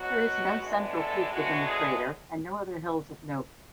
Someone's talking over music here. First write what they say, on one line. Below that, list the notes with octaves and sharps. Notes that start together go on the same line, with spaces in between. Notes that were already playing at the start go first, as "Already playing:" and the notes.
There is no central peak within the crater, and no other hills of note.
Already playing: B2 F#3 B3 F#4
A2 G#3 B3 D4
A4
A2 G#3 B3 D4 F#4
G#4